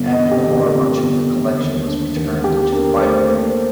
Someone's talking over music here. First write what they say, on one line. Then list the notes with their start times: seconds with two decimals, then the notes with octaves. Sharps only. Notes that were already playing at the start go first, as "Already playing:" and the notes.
After the war much of the collection was returned to the library.
Already playing: G1
0.10 D#5
0.17 D3
0.31 G4
0.47 D3
0.53 G4
0.74 F2
1.03 G1
1.31 D3
1.59 D#2
1.88 D4
2.16 D#2
2.44 D#2 G4
2.72 D4 A#4
3.00 A3 C5
3.29 A#3 C5